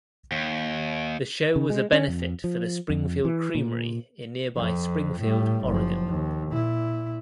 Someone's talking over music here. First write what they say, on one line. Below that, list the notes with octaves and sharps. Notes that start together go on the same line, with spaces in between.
The show was a benefit for the Springfield Creamery in nearby Springfield, Oregon.
D#2
C#3
G#3
C#4
F2
F3
F2
E3
A#2
F2
A2 G3
F#1 F3
D#2
A#2 E4